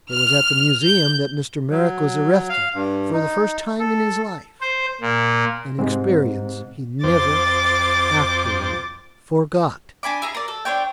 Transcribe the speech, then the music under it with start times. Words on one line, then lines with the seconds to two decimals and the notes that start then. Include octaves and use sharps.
It was at the Museum that Mr. Merrick was arrested for the first time in his life, an experience he never afterward forgot.
0.12 F6
0.84 G6
1.70 F#3
2.49 F5
2.74 G2
3.13 D#4
3.79 A4
4.61 C5
5.01 A#2
5.79 G#2 C3 G#3 C4 D#4
7.04 F2 C5 D6 A6
10.03 D4 G#5 B5 D6
10.22 E4 G#4 A#5
10.35 A#4 D5
10.48 A4
10.65 D4 C5 C#5 G5